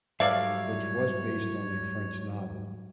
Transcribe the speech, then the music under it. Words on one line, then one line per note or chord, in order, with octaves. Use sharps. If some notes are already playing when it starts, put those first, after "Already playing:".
which was based on a French novel,
G#2 F#3 G3 A4 C#5 D5 E5 F5